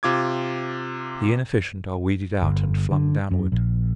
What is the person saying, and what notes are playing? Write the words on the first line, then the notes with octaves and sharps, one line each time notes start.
The inefficient are weeded out and flung downward.
C3 F4 D6 G#6
G1
D3
F#2
A#1